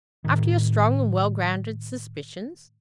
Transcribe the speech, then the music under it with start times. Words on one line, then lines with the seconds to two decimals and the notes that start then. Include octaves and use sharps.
"After your strong and well-grounded suspicions?"
0.24 A2 D#3